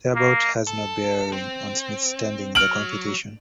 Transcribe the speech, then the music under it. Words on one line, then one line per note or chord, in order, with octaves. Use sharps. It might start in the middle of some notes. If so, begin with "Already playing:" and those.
Their bout had no bearing on Smith's standing in the competition.
A#3
A4
C4
F#3 F6 D7 F#7